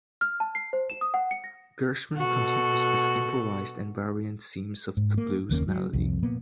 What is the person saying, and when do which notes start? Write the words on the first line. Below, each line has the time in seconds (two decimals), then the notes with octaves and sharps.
Gershwin continues with improvised and variant themes of the blues melody.
0.21 F6
0.40 A5
0.55 C7
0.73 C5
0.90 E7
1.01 D#6
1.14 F#5
1.31 C#7
1.44 A#6
2.16 B2 F#4 A4
4.97 G#2
5.18 A#3
5.49 F#1 D#2 A#3 C#4
5.68 F#3
5.93 C2 F2
6.23 A#2 A#3 B3